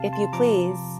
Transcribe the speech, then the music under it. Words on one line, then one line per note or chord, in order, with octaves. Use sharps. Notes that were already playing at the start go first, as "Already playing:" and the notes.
If you please.
Already playing: C3 F5 A5
A5 C6
F3 A#5 D6